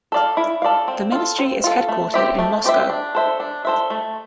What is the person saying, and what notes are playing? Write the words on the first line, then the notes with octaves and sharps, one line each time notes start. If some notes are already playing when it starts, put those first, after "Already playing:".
The Ministry is headquartered in Moscow.
A4 D5 F5
E4
A4 D5 F5
C4
F4 A4
C4
F4 A4
A3
C4 G4 C5 E5
A3
C4 G4 C5 E5
D4
A4 C5 E5
D4
A4 C5 E5
A3